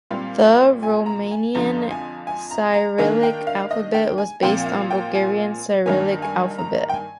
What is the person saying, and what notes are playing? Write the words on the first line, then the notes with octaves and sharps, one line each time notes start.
The Romanian Cyrillic alphabet was based on Bulgarian Cyrillic alphabet.
A#2 G3 C4 F5
G#5
A#5
G#5
F2 D3 F3 A#5
G#5
G#5
A#5
A#5
D#3 A#3 D4 G#5
G5
F5
D#5
G5
G#5
A#2 F3 C4 G5
F5
G5
G#5
G2 D#3 A#3 G#5
G#5
A#5
G5
G#5